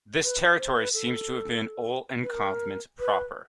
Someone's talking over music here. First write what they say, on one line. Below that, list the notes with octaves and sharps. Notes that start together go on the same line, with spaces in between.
This territory seems to have been Ol nEchmacht proper.
B4
C5
B4
A4
B4
A#4
B4